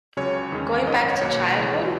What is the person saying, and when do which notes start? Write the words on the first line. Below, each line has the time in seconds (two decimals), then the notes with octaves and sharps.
Going back to childhood?
0.17 C#2 C#3 F#3 C#4 C#5
0.52 E2 D#3 G#3 C#4
0.87 G#1 F#2 D#3 D#5
1.10 C#5
1.21 B1 B2 A#3 C#5
1.56 C#2 C#3 E3 G#3